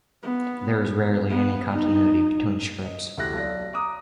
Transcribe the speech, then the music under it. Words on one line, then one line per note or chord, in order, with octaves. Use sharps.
There is rarely any continuity between strips.
B3
B3
D#4
D#5
D2 E4 G4 F#6 A#6
B1 D5 A#6
A#5 D6 D#6